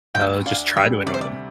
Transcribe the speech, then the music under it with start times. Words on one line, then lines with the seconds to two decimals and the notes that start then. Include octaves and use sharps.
Oh, just try to annoy them.
0.14 D2 G5
0.46 D4 F5
0.76 G3 E5
1.06 C3 D5
1.14 C5
1.21 D5